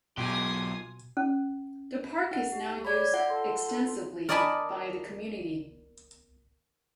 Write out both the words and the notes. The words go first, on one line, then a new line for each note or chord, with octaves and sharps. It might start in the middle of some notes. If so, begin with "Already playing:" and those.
The park is now used extensively by the community.
B1 B2 F4 G4 G#5 D#6
C#4
D#4 F#5
G4
C#5 D5 B5 G#6
F4 E5 F#5
A4 C6
A#4 D5 D#5 G#5 A5 B5